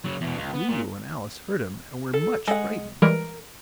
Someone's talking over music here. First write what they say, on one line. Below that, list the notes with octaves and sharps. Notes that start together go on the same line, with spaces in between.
Lulu and Alice heard him, and were much frightened.
C#3 F#3
E2 B2
C#2
B3
A#2
A4
G#3 A4 F#5
E3 G3 G#3 A#4